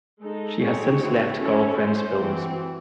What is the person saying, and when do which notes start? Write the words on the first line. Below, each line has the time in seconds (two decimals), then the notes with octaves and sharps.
She has since left Girlfriends Films.
0.22 G#3 D#4 A4
0.61 A3 C4 D#4 G#4 C#5
1.01 E3 C4 F#4
1.40 C#4 E4 A4 C#5
1.80 C#4 G#4 C5
2.20 E3 C4 F#4